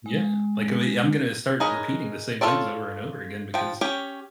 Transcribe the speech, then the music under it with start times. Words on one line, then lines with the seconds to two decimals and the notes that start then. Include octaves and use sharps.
Yeah. Like, uh, I'm gonna start repeating the same things over and over again because
0.06 G#3
1.60 D#4 G#4 A#4 B4 C#5
2.41 F4 G#4 A4 C#5 D5
3.54 F3 G5
3.81 C#4 G4 C#5 G5